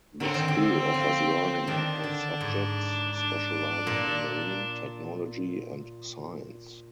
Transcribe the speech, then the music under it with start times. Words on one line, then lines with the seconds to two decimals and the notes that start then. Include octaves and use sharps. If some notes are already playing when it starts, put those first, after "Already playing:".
The school offers learning in all subjects, specializing in marine technology and science.
0.20 D3 C4
0.34 D#3
0.48 D3
0.94 F3
1.67 D#3 D4
2.04 D3
2.41 G#2
3.14 D4
3.87 A#2